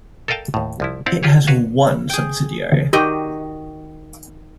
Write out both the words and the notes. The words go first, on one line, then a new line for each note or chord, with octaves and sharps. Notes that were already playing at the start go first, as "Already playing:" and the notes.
It has one subsidiary.
A4 A#4 D#5 F5 G5 A5
D#2 A2
C2 F3 E4
C4 E4 D5 F5 F#5
F4 G4 G#4 C#5
F#4 B4 C#5 F5 F#5
G#4 G5
D#3 F#4 G4 D#5